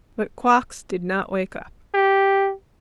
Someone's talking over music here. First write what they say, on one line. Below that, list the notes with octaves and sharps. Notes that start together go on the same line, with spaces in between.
But Quox did not wake up.
G4